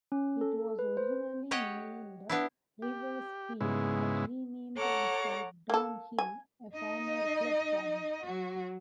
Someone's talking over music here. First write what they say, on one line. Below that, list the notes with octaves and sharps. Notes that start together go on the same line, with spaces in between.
It was originally named Riversfield but renamed after Don Hill, a former club chairman.
C#4
A4
B4
C5
G4 C#5 D#5 F#5 G5
B3 D4 E4
G4
G#2 C#3 G#3 B3 E4
A4 C#5 F#5 A#5 D6
A#3 A4
G#5
D#4 D#5
F#3 F#4